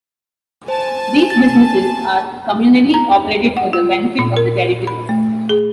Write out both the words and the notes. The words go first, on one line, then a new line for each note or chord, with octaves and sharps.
These businesses are communally operated for the benefit of the Territory.
C5 G#5 A5
A6
A#5
F#5
F4
A#2
A#4
B5
A3
G#4